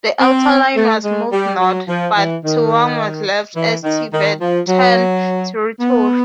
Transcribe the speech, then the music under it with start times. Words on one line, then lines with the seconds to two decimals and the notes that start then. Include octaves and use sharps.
The Outer Line was moved north, but Tawang was left as Tibetan territory.
0.20 C4
0.76 A3
1.03 G#3
1.32 G3
1.60 F#3
1.88 F3
2.16 E3
2.44 D#3
3.55 E3
3.84 D#3
4.12 D#3
4.40 F3
4.68 F#3
5.80 B3